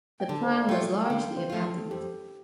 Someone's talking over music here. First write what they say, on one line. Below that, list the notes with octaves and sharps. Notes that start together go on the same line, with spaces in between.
The plan was largely abandoned.
G5
D3 A5
C5
D5
F5
A3 F4 G5
G5
D3 F5
C5
A3 F4
A4
F2 G4